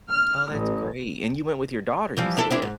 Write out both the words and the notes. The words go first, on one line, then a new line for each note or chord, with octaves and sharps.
Oh, that's great, and you went with your daughter, you said?
F6
A1
E3 F3 G3
D4 E4 A4
C4 D4 E4
G#2